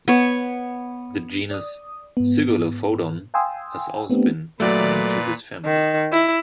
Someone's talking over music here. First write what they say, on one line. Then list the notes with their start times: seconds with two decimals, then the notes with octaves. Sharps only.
The genus "Zygolophodon" has also been assigned to this family.
0.08 B3 C#5
1.51 D5 D#6
2.17 G#2 B3
3.34 F5 G5 G#5 C6 D#6 E6
4.10 A3 B3 C4 D4 G4
4.60 A#2 F#3 A3 B4 D5
5.65 D#3
6.12 E4